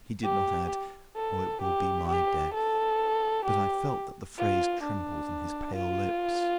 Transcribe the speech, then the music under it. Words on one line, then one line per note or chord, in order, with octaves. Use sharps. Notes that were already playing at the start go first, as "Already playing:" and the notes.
He did not add "or it will be my death"; but I felt that the phrase trembled on his pale lips.
G4
A4
G4
G4
A4
G4
F4
D4
F4